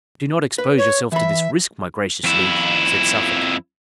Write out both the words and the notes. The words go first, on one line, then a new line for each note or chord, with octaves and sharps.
"Do not expose yourself to this risk, my gracious liege," said Suffolk.
B4
C#5
E3 E5 B5
F2 E4